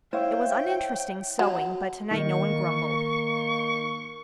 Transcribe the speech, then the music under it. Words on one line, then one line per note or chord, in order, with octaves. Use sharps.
It was uninteresting sewing, but tonight no one grumbled.
E4 C5 C#5 E5 F5 G5
F#3
D#3 A#3 C#6